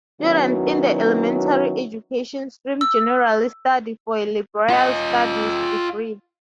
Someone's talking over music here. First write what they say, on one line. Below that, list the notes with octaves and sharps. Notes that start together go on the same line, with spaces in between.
Students in the elementary education stream generally study for a Liberal Studies degree.
D#3 F#3 B3 C#4 E4 F#4
E6
F4 D#5